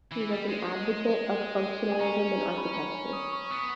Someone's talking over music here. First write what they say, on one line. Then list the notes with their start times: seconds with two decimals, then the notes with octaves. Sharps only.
He was an advocate of functionalism in architecture.
0.12 E3
0.31 G3
0.50 G#3
1.92 G#5
2.00 C#4 A#5
2.19 G#5
2.38 A#5
2.57 B5
2.76 A#5
2.95 G#5
3.13 D#6
3.33 C#6
3.51 B3 D#6
3.59 C#6